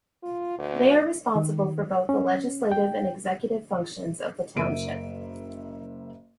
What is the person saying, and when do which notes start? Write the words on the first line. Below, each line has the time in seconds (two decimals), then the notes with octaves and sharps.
They are responsible for both the legislative and executive functions of the township.
0.23 F4
0.59 D2
1.35 D#3
2.09 C#4
2.72 G5
4.56 F#1 A#4 E5 D7 D#7